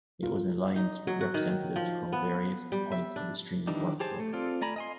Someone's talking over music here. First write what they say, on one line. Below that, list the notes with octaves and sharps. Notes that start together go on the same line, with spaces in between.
It was an alliance with representatives from various points of the streaming work-flow.
F4
D#4
F#3
F#4
D#3
F3
B3
G3
E5
D4
D#3 E3 G3 D4 D#4
G4 G#4 C5 A5
A3
C4 F4 A4 D5
A3 D5 G#5 A#5 B5
D#5 G#5 C6